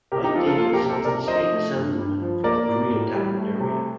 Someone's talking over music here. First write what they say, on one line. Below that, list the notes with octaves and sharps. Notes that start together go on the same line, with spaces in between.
Mike Davis is the State Assemblyman for the Koreatown area.
C3 G4 A#4
D#4 G4
F3 F4 A4
F4 A4
A#3 F4 A4
G4 A#4
C3
A4 C5
C3 A#4 D5
F3 C5 D#5
A3
G2
G2
F3
A#3 A#4 D5
A2
A2
G3
A3
C3